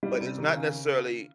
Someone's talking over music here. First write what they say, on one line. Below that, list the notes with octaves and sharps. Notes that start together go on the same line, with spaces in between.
but it's not necessarily,
G3
C3
D#3
C#3